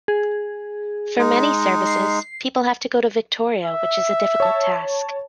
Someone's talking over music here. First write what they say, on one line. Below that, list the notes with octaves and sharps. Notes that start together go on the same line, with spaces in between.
For many services, people have to go to Victoria which is a difficult task.
G#4
G#3 D#4
C7
E5
C#5 A5